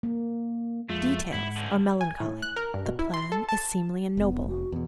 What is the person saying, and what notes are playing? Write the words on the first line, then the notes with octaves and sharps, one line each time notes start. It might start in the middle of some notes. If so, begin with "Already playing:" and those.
Details are melancholy; the plan is seemly and noble.
A#3
F2 G#3 A3 F4
G#2 E4 F#5
C#2 D3
G#5
A2
F#6
A#4
G2
B2
E4
C6
A4
A5
F1 B3
F#4
E2 B2